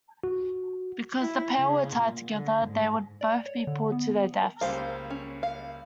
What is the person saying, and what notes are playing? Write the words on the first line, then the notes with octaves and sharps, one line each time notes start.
Because the pair were tied together, they would both be pulled to their deaths.
F#4
E4
C#3
A#2
D3
G#2
D5
C#5
D3
B3
C#2 G3 A#3 C5 F5
C#4
F5